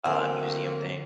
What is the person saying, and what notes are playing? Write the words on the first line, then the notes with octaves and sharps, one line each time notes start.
uh, museum thing?
D3 F#3 A3 A#3 C4 G#5